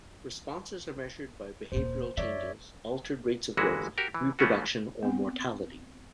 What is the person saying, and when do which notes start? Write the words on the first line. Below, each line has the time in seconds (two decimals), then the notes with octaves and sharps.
Responses are measured by behavioural changes, altered rates of growth, reproduction or mortality.
1.72 D#1 A#2 C5
2.17 F#2 D#3 C#5 D5 E5
3.57 G1 A#2 E3 G#3 E4 F#4
3.98 F#4 G4 A#4
4.14 E3
4.39 E3 A3 B3 C#4 F4 F#4
5.03 B3 C4